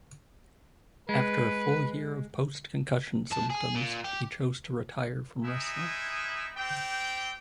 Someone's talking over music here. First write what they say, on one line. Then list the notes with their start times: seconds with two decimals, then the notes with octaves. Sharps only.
After a full year of post-concussion symptoms he chose to retire from wrestling.
1.09 G#3 B4
3.31 G#2 A5
3.50 G#4
3.75 A#2
4.04 G4
5.45 G#3 D#4 E4
6.56 C4 G4 G5